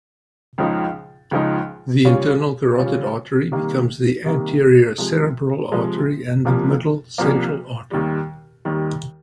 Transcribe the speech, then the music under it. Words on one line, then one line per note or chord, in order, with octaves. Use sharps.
The internal carotid artery becomes the anterior cerebral artery and the middle central artery.
C#2 C#3 F3 G#3 D#4
C#2 C#3 F3 G#3 D#4
C#3 G3 C#4 F4
C#3 G3 C#4 F4
C3 D#3 G3 A#3
C3 D#3 G3 A#3
C3 F3 G#3
C3 F3 G#3
C2 C3 F3 A#3
C2 C3 F3 A#3
D#2 D#3 G3
D#2 D#3 G3